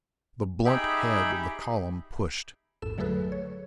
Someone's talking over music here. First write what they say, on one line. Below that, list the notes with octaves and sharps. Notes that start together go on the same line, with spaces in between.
The blunt head of the column pushed.
D#4 G4 G#4 E5 G5 B5
A1 F2 G#2 A4 E7
D3 F#3 A3 G#4 A4 B4
C#5